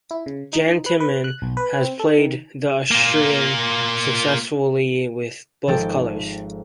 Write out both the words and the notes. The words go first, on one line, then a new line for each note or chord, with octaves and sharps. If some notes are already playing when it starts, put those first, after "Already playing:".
Jan Timman has played the Austrian successfully with both colours.
E4
C#3
D#4
B4
B4
F#6
B1
B4
C4
A4
D#3
A#3 F4
G#1 F3 G#3 A4 G5 G6